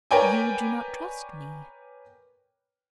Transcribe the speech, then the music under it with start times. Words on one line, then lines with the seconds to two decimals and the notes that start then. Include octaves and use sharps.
"You do not trust me?"
0.11 A#4 B4 C#5 D5 G5 G#5